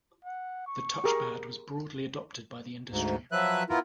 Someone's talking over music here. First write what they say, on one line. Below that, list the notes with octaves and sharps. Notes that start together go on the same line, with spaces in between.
The touchpad was broadly adopted by the industry.
F#5
C#6
G4 G#4 A#4
D2 G#2
F3 F#3 B4 E5 F#6
B3 E4 F4 A#4